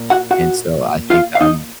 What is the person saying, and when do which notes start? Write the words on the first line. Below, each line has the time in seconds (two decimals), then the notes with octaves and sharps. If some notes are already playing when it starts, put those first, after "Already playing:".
and so I think, um
Already playing: A#2 A#3
0.10 F#4 F#5
0.31 F#4 F#5
1.10 F4 F5
1.35 F5
1.41 D#4 D#5